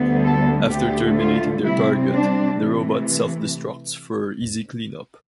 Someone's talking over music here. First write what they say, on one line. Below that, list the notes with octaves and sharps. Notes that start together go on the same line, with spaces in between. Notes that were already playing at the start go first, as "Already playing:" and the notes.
After terminating their target, the robot self-destructs for easy clean-up.
Already playing: D2 D3 G3 B3
A4
D2 D3 A3 G4
F4
C3 G3 C4 E4
D4
C3 E3 A3